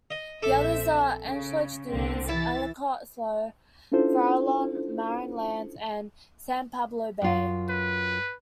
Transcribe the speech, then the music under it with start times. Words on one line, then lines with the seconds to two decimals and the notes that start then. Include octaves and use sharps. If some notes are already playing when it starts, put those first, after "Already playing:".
The others are: Antioch Dunes, Ellicott Slough, Farallon, Marin Islands, and San Pablo Bay.
0.11 D#5
0.42 A#1 C4 A4 E5 D6
1.24 C#3
1.88 C2 D3 C4
2.29 E3 E4 A6
3.92 C#4 D4 E4 F4 A4 C5
7.22 F#2 F4
7.69 B4